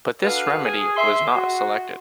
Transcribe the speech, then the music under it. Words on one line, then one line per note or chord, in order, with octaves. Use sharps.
But, this remedy was not selected.
D4 F#4 A4 B4 F5
G#4
E5 C6
F#4